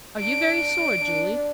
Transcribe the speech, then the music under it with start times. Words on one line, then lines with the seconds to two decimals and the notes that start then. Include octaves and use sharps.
"Are you very sore, Julie?"
0.20 D4 D7
1.00 D4